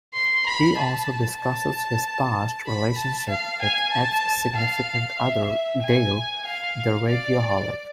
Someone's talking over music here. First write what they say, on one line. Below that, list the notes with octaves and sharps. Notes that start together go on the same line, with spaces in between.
He also discusses his past relationship with ex-significant-other Dale, "the Rageaholic".
C6
B5
A5
A5
B5
A5
F5
G#5
A5
F5
E5
G#5
F5
D5